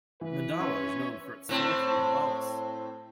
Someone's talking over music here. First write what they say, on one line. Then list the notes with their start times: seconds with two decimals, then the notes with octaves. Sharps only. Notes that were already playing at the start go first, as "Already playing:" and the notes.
Mandawa is known for its fort and havelis.
0.21 E3 B4
0.60 C#4 E5 C6 E6
1.49 A2 C4